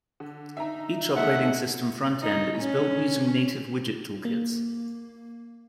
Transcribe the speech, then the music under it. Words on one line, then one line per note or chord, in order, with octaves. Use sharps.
Each operating system front-end is built using native widget toolkits.
D3
D#4 E5 A#5
D#2 G#3 A3 E5 F#5
D#4
C#4
A#3